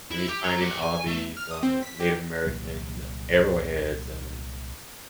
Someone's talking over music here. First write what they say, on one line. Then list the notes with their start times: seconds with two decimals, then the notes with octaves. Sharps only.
and he's finding all these, um, Native American arrowheads and
0.11 E4
0.29 G4
0.44 C#5 A#5
0.61 G4 F#5
0.83 G#5
1.07 A3
1.37 F6
1.51 D#6
1.63 C4
1.83 B6
2.00 G4
2.45 C2 A#2 D3 F#3